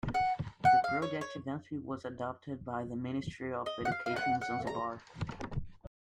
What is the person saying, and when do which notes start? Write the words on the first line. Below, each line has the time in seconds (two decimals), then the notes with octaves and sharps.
The project eventually was adopted by the Ministry of Education in Zanzibar.
0.14 F#5
0.65 F#5
0.84 F5
1.02 C#5
1.21 C#5
3.66 D#5
3.85 F#5
3.92 F5
4.06 F5
4.16 F#5
4.41 F#5
4.67 A#5